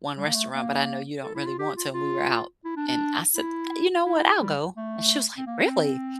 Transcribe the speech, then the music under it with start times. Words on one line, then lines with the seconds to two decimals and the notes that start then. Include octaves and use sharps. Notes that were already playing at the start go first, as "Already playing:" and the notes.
one restaurant, but I know you don't really want to," and we were out, and I said, "You know what? I'll go," and she was like, "Really?"
0.17 G3
0.26 A#3
0.35 A3
0.53 A#3
1.23 A4
1.35 E4
1.46 F4
1.59 G4
1.76 F4
1.94 F4
2.65 E4
2.76 D4
2.87 D4
3.35 E4
4.06 E4
4.41 G3
4.77 A3
5.37 C4
5.47 A#3
5.64 C4